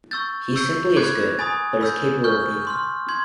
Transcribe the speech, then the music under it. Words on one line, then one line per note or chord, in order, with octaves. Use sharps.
He simply is good, but is capable of evil.
C#6 E6 G6 A6
C#6 E6 G6
B5 D6 F#6 G#6
G#5 B5 D#6 A6
B5 E6 G6
C#6 F6 G6
C6 F6
C6 G#6